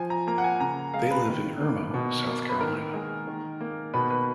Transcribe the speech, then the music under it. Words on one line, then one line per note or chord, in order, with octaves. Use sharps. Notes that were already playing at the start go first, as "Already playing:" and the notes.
They live in Irmo, South Carolina.
Already playing: F3 G#5
A#5
A#3 A#5
F#5
G#5
C#3 A#5
G#3 F5
B4
D#3
A#3
B2
A#3
B4
D#3 A#4
G#3
D#3
A#3
B2 B4
B4